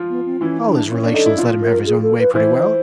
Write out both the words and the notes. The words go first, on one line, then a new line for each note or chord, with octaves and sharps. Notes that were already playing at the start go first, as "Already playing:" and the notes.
All his relations let him have his own way pretty well.
Already playing: F3 F4
B3
C4
E3 C#4 E4
D4
C#4
D4
D#4 A4
E4
F3 F4
A#4
G#4
A4
B4
E3 E4 C5